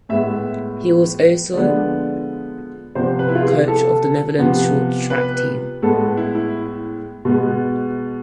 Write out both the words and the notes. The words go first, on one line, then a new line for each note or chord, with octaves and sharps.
He was also coach of the Netherlands short track team.
A2 G#3 B3 E5
D3 F3 G#3 B3 D5
C3 F3 B3 C5
B4
E4
F4
G#4
A4
C3 F3 B3
B4
A2 G#3 B3 A4
E4
E4
B2 G#3 B3